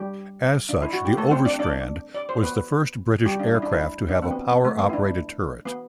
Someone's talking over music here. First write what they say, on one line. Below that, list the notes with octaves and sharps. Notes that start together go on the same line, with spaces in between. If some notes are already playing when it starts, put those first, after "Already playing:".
As such the Overstrand was the first British aircraft to have a power-operated turret.
Already playing: G3 G4
D4
E4
F#4
G4
A3 A4
C4 C5
D4 D5
D4 D5
D5
C5
B3 B4
G3 G4
D4
E4
D4
E4
D4
C4
B3
B3
A3
B3
E4
D4
B3